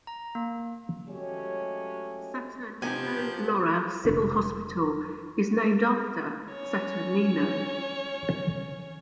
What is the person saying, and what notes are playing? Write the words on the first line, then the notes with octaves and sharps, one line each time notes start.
Saturnino Lora Civil Hospital is named after Saturnino.
A#5
A#3
F#3 G#3 A3 C#4 G4 C#5
C3 F3 B3 D#4 G4 G#5
B2 A#3
F1 D3
C#4 C#5